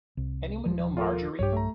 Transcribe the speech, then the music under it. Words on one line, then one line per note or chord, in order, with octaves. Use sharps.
Anyone know Marjorie?
C2
D#1 F3
F4 A4 A#4
B1 G2 G4 C#5
A3 A#5